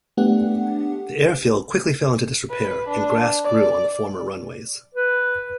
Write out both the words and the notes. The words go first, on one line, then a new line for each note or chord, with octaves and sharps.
The airfield quickly fell into disrepair and grass grew on the former runways.
A3 B3 D4 G4 F#5
B4
D4
D5
B4